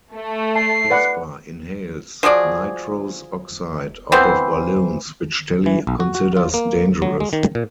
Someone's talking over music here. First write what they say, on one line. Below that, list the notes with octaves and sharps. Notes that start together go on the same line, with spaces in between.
Casper inhales nitrous oxide out of balloons, which Telly considers dangerous.
A3
A5 C7
B4 D5 F#5
F3 F#4 G#4 D5
E3 B3 C4 C5
E3
B1
F#4
F#4
F4
A#3
F#3
G#3
D#3
A#2